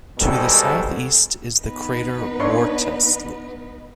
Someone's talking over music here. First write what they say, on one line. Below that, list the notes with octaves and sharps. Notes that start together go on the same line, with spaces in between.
To the southeast is the crater Wrottesley.
C2 G#2 B2 D#3 G3 A4
B3 D#4 B4
D4 C#5 C6